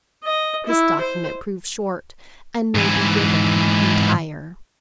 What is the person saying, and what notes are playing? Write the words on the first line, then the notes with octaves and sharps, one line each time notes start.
This document proved short and may be given entire.
D#5
E4
C5
G#2 E3